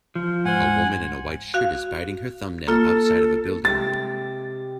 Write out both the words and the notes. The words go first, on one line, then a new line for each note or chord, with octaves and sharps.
A woman in a white shirt is biting her thumbnail outside of a building.
F3
G#2 C5 F#5 G#5
F#4 F5
A#3 F4 A4
C3 G#3 G4 A6